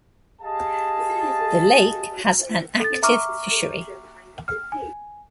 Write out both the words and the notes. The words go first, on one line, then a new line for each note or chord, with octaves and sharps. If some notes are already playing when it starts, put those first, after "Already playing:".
The lake has an active fishery.
G4 G#4 D#5 F5 A5
A4 A6
E5 A#5 C#6 D6 F6
F6
G#5